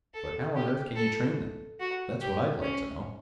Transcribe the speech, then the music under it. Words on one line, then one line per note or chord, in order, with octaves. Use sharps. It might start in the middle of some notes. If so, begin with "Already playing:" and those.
"But how on earth can you train them? That's what I'd like to know."
A4
G4
A4
F#4
G4
C#4